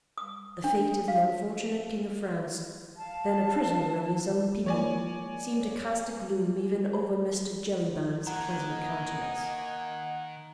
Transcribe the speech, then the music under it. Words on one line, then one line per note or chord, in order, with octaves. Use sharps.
The fate of the unfortunate King of France, then a prisoner of his own people, seemed to cast a gloom even over Mr. Jellyband's pleasant countenance.
D#6
D4
F5
F5 A5
F3 G#3 A#3 C#5 D5 G#5
D#3 A#3 D#5 F#5 G#5 A#5